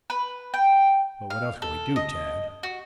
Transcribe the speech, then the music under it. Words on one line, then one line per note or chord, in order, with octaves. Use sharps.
"But, what else can we do, Tad?"
B4
G5
F5
A4
D#5
F#4